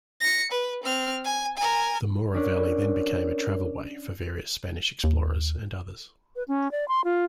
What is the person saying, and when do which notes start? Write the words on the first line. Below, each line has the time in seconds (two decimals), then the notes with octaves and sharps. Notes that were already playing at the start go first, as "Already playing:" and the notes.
The Mora Valley then became a travel-way for various Spanish explorers and others.
0.21 A#6 C#7
0.51 B4
0.83 C4 F6
1.25 G#5
1.57 A#4 G#5
2.34 C#4 D4 A#4 C#5
5.04 D#2
6.36 B4
6.48 C#4
6.71 D5
6.88 C6
7.04 F4